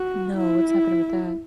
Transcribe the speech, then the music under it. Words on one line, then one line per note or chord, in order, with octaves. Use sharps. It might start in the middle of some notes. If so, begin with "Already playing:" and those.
No, what's happening with that?
Already playing: F#4
E4